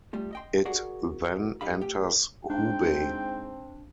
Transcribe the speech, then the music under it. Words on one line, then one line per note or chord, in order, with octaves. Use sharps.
It then enters Hubei.
G3 A3 F4
D#5 G5 C6
F#4 G#4 A#4 D5 F#5
G2 D#4 G4 F5 B5
A2 G4 G5
G#2 C4 D4 G5